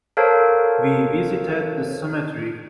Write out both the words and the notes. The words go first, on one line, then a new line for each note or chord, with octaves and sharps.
We visited the cemetery.
A4 A#4 C5 C#5 F5 A5